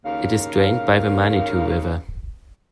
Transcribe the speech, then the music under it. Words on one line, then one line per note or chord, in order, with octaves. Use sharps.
It is drained by the Manitou River.
D#2 C#3 A#4 F5